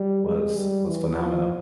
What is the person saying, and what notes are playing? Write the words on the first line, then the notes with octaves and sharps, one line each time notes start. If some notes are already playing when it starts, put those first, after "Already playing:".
was was phenomenal.
Already playing: G3
G#3
G3
E3
F3